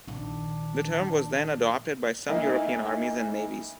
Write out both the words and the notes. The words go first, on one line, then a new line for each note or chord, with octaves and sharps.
The term was then adopted by some European armies and navies.
A#1 D#3 D4
D2 A#3 D#4 E4